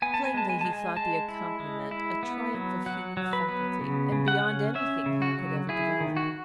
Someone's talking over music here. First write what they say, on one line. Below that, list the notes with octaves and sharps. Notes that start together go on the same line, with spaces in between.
Plainly he thought the accompaniment a triumph of human faculty, and beyond anything he could ever develop.
B3 G#5
A5
G#5
G#3 A5
G#5
G#3 A5
G#5
G#3 A5
E4
G#3
E4
B3
F#3
F#3 F#5
F#3
B4
B3
C#3
C#3
F#5
C#4
C#4 E5
C#3
F#4
F#3
E4 G#4
D#3
F#4